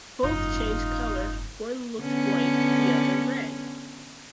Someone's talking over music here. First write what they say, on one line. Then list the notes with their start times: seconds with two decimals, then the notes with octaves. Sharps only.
Both changed colour, one looked white, the other red.
0.23 F#1 G#2 D#4 F4
2.01 D3 B3 C#4